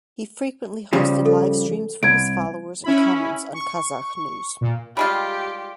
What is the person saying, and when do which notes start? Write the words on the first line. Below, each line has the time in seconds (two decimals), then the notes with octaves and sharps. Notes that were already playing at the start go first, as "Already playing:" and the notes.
He frequently hosted live streams for his followers and comments on Kazakh news.
0.93 C#3 F3 G3
1.26 A4
2.03 C2 G#6 D7
2.84 C#4 E4 B5
3.54 C#6
4.61 A#2
4.97 G3 G#3 F4 G4